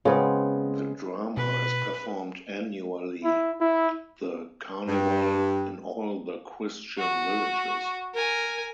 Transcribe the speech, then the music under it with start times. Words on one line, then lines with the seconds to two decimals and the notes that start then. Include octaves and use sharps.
The drama is performed annually at the Carnival in all the Christian villages.
0.05 C#3 G#3 B3 C4
1.37 B2 B4
3.24 E4
3.61 E4
4.87 G2
6.98 F#4
8.14 A#4 G#5